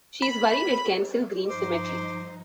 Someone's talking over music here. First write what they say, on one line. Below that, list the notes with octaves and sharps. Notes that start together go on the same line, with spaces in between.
She is buried at Kensal Green Cemetery.
B5
G2 F3 D#4 C5 D6